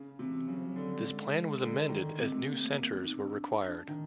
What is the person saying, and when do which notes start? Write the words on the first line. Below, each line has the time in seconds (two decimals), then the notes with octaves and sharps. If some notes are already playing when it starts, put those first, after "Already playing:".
This Plan was amended as new centres were required.
Already playing: C#3
0.19 C3 E3
0.48 C#3 F#3
0.57 F3
0.66 F#3
0.76 D3
0.93 G3
1.04 G#3
1.61 D3
1.89 D#3
2.17 C3 G#3
2.32 A3
2.41 B3
2.47 A#3
2.61 A3
2.74 A#3
2.89 B3
3.03 D#4
3.18 D4
3.88 D#3